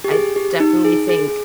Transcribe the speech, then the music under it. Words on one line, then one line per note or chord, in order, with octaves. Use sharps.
I definitely think
G4
G#4
G4
D#4
G#4
G#4